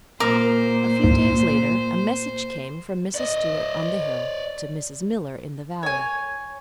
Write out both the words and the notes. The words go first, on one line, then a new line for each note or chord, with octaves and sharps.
A few days later a message came from Mrs. Stuart on the hill to Mrs. Miller in the valley.
A#2 A#4 C5 D6
C#2 G#2
D5 D#5
C#5 G#5